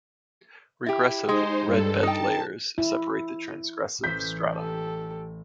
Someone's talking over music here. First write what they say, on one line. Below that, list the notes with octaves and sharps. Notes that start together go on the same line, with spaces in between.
Regressive, red bed layers separate the transgressive strata.
E4 G4
G#3 D#4 C5
G2 A4
D#4 G5 A5
E4
A1 C5 G6 B6
G4 A4